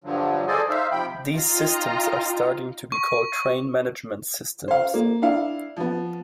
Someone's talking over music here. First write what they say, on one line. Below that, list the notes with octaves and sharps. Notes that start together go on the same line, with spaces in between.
These systems are starting to be called train management systems.
G2 D3 F3 F#3
G#4 A4 C5 D5 D#5 G#5
D#4 C5 E5 F5
C3 F3 G5 B5
D#4 F4 D#5 G5 A#5 C6
C#6
C5 F5
A#3
D4 E4 F5
F3 B3